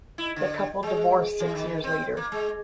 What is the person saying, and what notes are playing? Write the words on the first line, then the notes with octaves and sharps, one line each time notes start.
The couple divorced six years later.
E4
D3
G#3
E3
D#3
C4
A#3
G#3